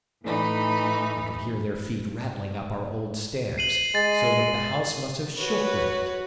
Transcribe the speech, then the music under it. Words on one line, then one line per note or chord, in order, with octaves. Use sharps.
I could hear their feet rattling up our old stairs, so that the house must have shook with it.
A2 E3 A3 D#4 B5
C7 D#7 F#7
G#3 A6
F#4 B4 C#5